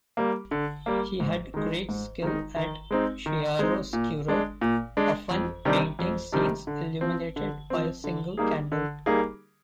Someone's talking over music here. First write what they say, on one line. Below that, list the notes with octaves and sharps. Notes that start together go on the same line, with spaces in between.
He had great skill at "chiaroscuro", often painting scenes illuminated by a single candle.
G3 A#3
D3
G3 A#3
G#2
D#3 G#3 D#4
G#2
D#3 G#3 D#4
D#3
G#3 C4 D#4
D#3
G#3 C4 D#4
A#2
G#3 D4
A#2
G#3 D4
F2
C3 D#3 G3 D4
F2
C3 D#3 G3 D4
D3
F3 C4
D3
F3 C4
D3
G3 A#3 D#4 G#4
D3
G3 A#3 D#4 G#4